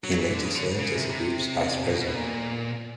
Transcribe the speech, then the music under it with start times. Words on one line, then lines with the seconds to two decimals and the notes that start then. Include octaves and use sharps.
He later served as the group's vice-president.
0.04 F#3
0.19 E3
0.34 D3
0.45 C#3
0.55 D3
0.79 C#3
0.95 C3
1.09 C3
1.86 B2
2.01 B2
2.15 A#2